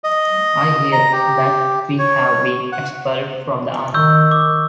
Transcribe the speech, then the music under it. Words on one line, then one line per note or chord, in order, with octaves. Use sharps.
I hear that we have been expelled from the army.
D#5
A#5
G4
C#5
F#5
D#3 C#6 E6 G6
D6